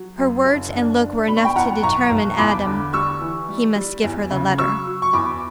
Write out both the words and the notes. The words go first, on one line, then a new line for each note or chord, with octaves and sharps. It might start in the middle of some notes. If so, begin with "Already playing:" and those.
Her words and look were enough to determine Adam: he must give her the letter.
Already playing: F#3
F#2
F#1
D4
D4
B2 B5
C#6
G5 B5
E2 F#5 A#5
B1 A#5 C#6
B1
E2 B5 D6
D3
G3 C#6 E6
E3
G3
G3
E2
C#3
F#3 C#6 E6
F#3
C#6
E2 B5 D6